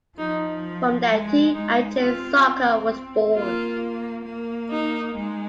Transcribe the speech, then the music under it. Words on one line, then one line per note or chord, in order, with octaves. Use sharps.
From there T and J Soccer was born.
F3 D#4
G#3
G#3 D#4
C4 F4
A#3 F4
A#3
D#4
G#3